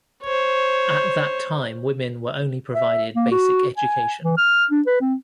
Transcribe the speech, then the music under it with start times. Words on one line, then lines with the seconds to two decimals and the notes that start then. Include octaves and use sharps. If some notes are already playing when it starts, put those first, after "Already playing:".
At that time women were only provided basic education.
0.23 C5 C#5
2.75 E5
3.15 A#3
3.31 F#4
3.77 G#5
4.23 E3
4.38 F6
4.71 D4
4.87 B4
5.01 C4